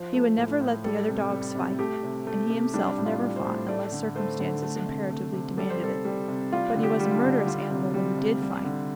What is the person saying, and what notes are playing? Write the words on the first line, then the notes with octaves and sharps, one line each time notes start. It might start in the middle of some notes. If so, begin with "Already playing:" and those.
He would never let the other dogs fight, and he himself never fought unless circumstances imperatively demanded it; but he was a murderous animal when he did fight.
Already playing: F3 C5
A3
A2
A2
G3 A4
C3
G3
C3
A3 G4
C3
A3
C3
G3 D4
A2
F4
G3
C5
A2
A3 D5
D3
A3 C5
D3
A3
C3
A3
C3
G3 A4
C5
C3 A4
G3
C3
G3 F4
D3
G4
G3
F4
D4
D3
G3 F4
C3
G3
C3
G3
D3